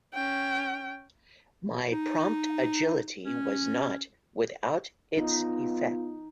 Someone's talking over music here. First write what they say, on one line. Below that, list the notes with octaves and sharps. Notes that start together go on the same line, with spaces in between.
My prompt agility was not without its effect.
C#4 G5
D#4
C#4
B3 D#4 F4